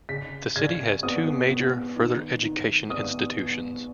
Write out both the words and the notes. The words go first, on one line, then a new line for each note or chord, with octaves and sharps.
The city has two major further education institutions.
C#3 B6
C#3 G#6
B3 D#6
B3
D#3
D#3
B3 D#6
B3